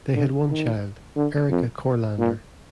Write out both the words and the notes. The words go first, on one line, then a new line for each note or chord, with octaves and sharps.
They had one child, Erika Courlander.
D3
D#3
D3
F2
A#2